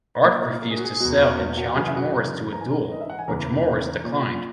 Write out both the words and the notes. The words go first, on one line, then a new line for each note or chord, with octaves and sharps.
Art refused to sell and challenged Morris to a duel, which Morris declined.
B4
A#2 A#3 A#4
A#4
G#4
F#4
G#4
E2 B2 F#4
F#4
A#3 A#4
F#4 F#5
F#2 C#3 E3 G#4 G#5
E5
F#4 F#5
A#4 A#5
A#4 A#5
G#2 E3 A#5
G#5
A#4 A#5
D#5
E5
F#5
G#5
E2 C#3 E3 A#4 A#5
A#2